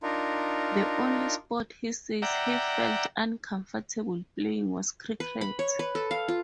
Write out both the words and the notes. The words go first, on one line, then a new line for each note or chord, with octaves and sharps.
The only sport he says he felt uncomfortable playing was cricket.
D4 D#4 F4 A#4
D5 E5 F#5 G5 A#5
B4
B5
C#5
B4
A4
F5
F4